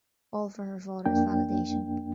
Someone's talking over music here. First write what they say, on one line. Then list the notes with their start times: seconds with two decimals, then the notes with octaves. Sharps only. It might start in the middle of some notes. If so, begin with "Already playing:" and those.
All for her father's validation.
1.06 F2 A#3 D4 G5